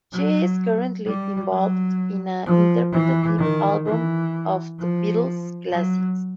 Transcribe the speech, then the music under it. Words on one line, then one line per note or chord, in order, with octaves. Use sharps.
She is currently involved in an interpretative album of the Beatles' classics.
F#3
G3
F#3
F3
E3
D#3
E3
F3
F#3